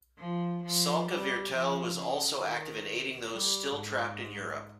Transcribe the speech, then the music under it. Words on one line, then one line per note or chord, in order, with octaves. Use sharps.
Salka Viertel was also active aiding those still trapped in Europe.
F3
F3
G3
F3
C#3
D#3
G3
G#2